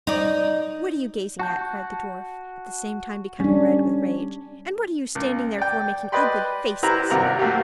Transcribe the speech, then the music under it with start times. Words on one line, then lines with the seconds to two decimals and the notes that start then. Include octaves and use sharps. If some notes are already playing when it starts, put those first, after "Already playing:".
"What are you gazing at?" cried the dwarf, at the same time becoming red with rage; "and what are you standing there for, making ugly faces?"
0.07 D#4 D5
1.40 F#4 A5 G6
3.40 G3 C#4 D4
5.15 C#2
5.58 D5 G5
6.12 B4 D5 D#5 G5 B5 C6
6.83 E4 G4 B4 C5 D5 A#5
7.10 G#1 G2 C3 F#4 A#5 F#6
7.39 F#3 A3 A#3 F#4 G4